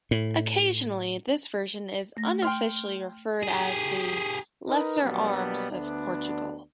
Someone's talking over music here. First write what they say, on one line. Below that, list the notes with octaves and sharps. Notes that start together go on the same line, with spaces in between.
Occasionally, this version is unofficially referred as the "lesser arms of Portugal".
A2
A3 A#6
G5 C6 F6
G4 G#4
D#4 A#4 B4
B2 F#3 G3 A#3 B3 D4
D2 B3 D4